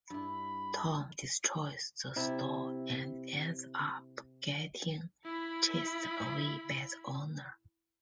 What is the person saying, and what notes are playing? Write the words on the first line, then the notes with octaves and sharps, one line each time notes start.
Tom destroys the store and ends up getting chased away by the owner.
G2 E4 B5
C3 E4 E5
E4 B5